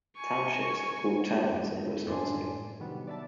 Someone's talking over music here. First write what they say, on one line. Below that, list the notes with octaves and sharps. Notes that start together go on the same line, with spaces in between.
Townships are called "towns" in Wisconsin.
G#5 C#6
F#2 F#3 G3
E4
F#2 A2 D4 A4 G#5 C6
C3 D#3 F#3 G3 B3
D5 E5 A5